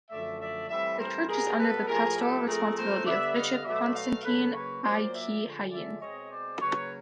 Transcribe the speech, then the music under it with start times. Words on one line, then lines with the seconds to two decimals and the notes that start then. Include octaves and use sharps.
The church is under the pastoral responsibility of bishop Constantine Bae Ki-hyen.
0.10 F#2 D3 F3 A3 D5 E5
0.40 D5 E5
0.68 A2 E3 G3 C4 D5 E5
0.98 A#4 C5
1.27 B2 G3 B3 G#4 A#4
1.57 A4 B4
1.86 A2 F3 A3 G#4 A#4
2.17 G4 A4
2.45 A2 F3 A3 C4 G#4 A#4
2.75 A#4 C5
3.05 D3 G3 B3 D5 E5
3.34 D#5 F5
3.64 B2 F#3 A3 D5 E5
3.94 D#5 F5
4.23 C#3 F#3 A#3 A4 B4
4.52 B4 C#5
4.82 A#2 F#3 A#3 C5 D5
5.12 D5 E5
5.42 D3 F3 G#3
5.70 D5 E5
6.00 B2 G#3 C4 C#5 D#5
6.30 C5 D5
6.60 C#3 F#3 A#3 B4 C#5